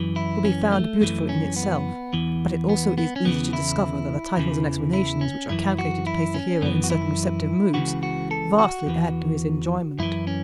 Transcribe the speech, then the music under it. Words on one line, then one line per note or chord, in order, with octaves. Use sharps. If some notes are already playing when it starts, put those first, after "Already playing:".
It will be found beautiful in itself; but it also is easy to discover that the titles and explanations which are calculated to place the hearer in certain receptive moods vastly add to his enjoyment.
Already playing: F#2 E3
E4
C#4
A3
F#2 E3 A3
C#4
B3
E2 E3
B3
B3
C#4
E2 C#3 E3 B3
E4
E2 C#3 E3
E4
C#4
F#2 E3 E4
F#4
E4
C#4
F#2 E3 B3
F#4
E4
C#2 C#3 E3 F#4
F#4
A4
F#4
E2 E3
F#2 E3 E4
C#4